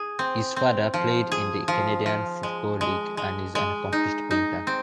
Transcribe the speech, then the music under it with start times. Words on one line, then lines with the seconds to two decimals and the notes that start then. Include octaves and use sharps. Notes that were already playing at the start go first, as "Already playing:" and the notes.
His father played in the Canadian Football League and is an accomplished painter.
Already playing: G#4
0.19 C4
0.56 C4
0.94 F3
1.32 G#4
1.68 F3
2.06 F3
2.43 G#3
2.81 G#3
3.17 G#3
3.55 G#3
3.93 D#4
4.31 D#4
4.67 C4